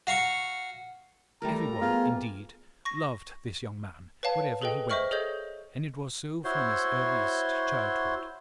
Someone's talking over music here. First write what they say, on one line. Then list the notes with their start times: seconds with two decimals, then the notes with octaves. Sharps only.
Every one, indeed, loved this young man wherever he went, and it was so from his earliest childhood.
0.07 F#4 F5 A#5 C#6
1.42 G3 A3 A#4 A#5
1.82 B3 F4 G#4
2.85 C#6 A#6
4.23 B4 C#5 F5 A5
4.61 G#4 A4 B4 D#5 G5
4.90 C5 D#5 E5 C#6 F6 F#7
5.11 G#4 A4 C#5 D#5 G6
6.45 E4 F#4 C5 C#5 C6